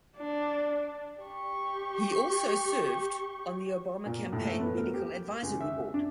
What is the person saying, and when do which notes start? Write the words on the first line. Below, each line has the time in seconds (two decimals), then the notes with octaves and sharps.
He also served on the Obama campaign Medical Advisory Board.
0.16 D4
1.22 G4 C#6
4.06 A#2
4.32 A2
4.45 A3
4.60 B3
4.78 A#4
4.94 G4
5.43 C#2
5.60 E5
5.94 D4